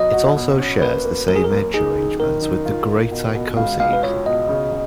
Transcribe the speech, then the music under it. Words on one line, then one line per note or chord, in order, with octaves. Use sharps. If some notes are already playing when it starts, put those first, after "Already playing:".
It also shares the same edge arrangement with the great icosahedron.
Already playing: B2 F#3 D#5
F#4
B2
C#4
A#3 B4
A#3
F#2 A#4
G#4
A#4
A#3
D#4 G#4
D#3
D#3 A#4
D#4
F4
F4
B2
B2
C#2 F5
C#2 F5
B4
F4 C#5
B2 D#5
C#3
C#3